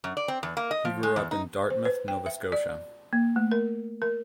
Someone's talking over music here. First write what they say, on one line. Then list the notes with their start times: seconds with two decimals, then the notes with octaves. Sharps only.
He grew up in Dartmouth, Nova Scotia.
0.04 F#2
0.17 D5
0.28 C4
0.43 E2
0.57 A#3
0.71 D#5
0.85 F3
1.03 G#3
1.16 E2
1.31 D#4
1.70 C5
1.85 B4
2.08 G5
2.26 E5
2.52 D5
3.13 A#3
3.36 A3
3.52 A#4
4.02 A#4